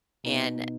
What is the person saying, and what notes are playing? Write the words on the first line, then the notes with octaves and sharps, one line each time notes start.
And, eh,
B2 B3 D#4